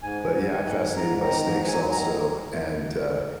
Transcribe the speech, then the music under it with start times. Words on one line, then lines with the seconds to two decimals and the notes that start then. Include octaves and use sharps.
but, yeah, I'm fascinated by snakes also, and, uh
0.02 G#2 G#5
0.26 G#2
0.50 D#3
0.74 G#2
0.97 G#2 A#5
1.20 D#3 A#5
1.44 G#2 A#5
1.68 F#3 G#5
1.92 D#3 A#5